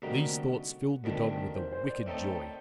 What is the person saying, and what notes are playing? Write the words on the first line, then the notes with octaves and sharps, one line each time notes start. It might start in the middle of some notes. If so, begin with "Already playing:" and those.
These thoughts filled the dog with a wicked joy.
D2 C3 G3 A#3 D#4 F#4
D2 C3 D#3 G3 D4 F#4
A#4
C5
C5
D5
A2 A3 C4 D#4 A4